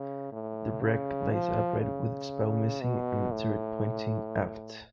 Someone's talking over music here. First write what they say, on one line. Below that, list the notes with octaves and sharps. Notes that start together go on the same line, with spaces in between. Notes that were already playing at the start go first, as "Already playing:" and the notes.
The wreck lies upright with its bow missing and A turret pointing aft.
Already playing: C#3
A2
C#3
F3
C#3
B2
A2